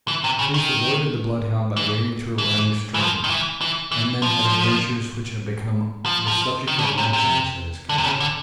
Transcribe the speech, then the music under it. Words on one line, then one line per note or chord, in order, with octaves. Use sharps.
Bruce avoided the bloodhound by wading through a running stream, and then had adventures which have become the subject of legends in his country.
E3
C3
C#3
D#3
E3
E3
E3
F3
D#3
E3
E3
E3
F3
F3
F3
D#3
D3
C#3
C3
C3
D3
C3
C#3
D3